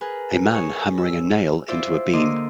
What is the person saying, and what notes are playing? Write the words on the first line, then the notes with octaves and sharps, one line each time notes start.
A man hammering a nail into a beam.
G#4 A#4 B4
G#4 C#5
E6
E4 F4 C5 D5 E5
D3 A#3 D#5 C6 D6 E6